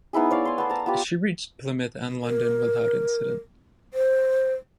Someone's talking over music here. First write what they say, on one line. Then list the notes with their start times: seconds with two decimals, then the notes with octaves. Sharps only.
She reached Plymouth and London without incident.
0.13 B3 D#4 E4 G#4
0.31 C#5 D5 F5
0.45 G#5 C6
0.58 B3 A4
0.70 A5 A#5
0.86 B3 F4 G4
2.23 A#4
3.94 C5